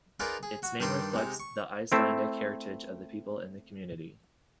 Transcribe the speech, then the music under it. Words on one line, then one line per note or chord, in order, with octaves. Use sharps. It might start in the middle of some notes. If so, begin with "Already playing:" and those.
Its name reflects the Icelandic heritage of the people in the community.
D#4 F4 G#4 A#4 B4 D5
G#4
F#4
G2 D#3 G3 D5 C6 D#6
C3 G#3 D#4
C#6
A3 C4 E4